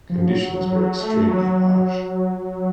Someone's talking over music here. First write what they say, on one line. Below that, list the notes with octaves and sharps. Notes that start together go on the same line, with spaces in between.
Conditions were extremely harsh.
F3
F#3
A3
F#3